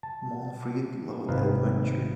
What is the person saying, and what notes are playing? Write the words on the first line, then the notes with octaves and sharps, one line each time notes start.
Monfreid loved adventure.
A5
G#1 C3 D#4 B4 F5